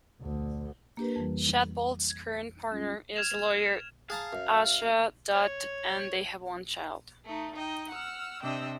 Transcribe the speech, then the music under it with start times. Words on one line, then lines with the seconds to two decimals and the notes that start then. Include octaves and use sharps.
Shadbolt's current partner is lawyer Asha Dutt and they have one child.
0.21 D2
0.97 A#3 D4 G4 A#4 B4
1.16 F2 E3 G3
2.10 G#6
2.71 G3 C#4 F4
3.16 F6 G#6 E7 F7
4.10 G#4 F5 A5 A#5
4.33 F#2
5.36 C#5
7.24 A3 D#4
7.53 D#4 D#5 G5
7.89 F#5 E6 F6
8.42 C3 D4 D#5 G5 E6